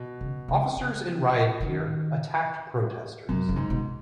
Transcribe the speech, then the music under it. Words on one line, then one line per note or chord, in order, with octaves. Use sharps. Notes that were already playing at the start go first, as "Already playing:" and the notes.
Officers in riot gear attacked protesters.
Already playing: B2
C#3
C#3
C#3
D#3
F#2 B2
C#3
G#2
B2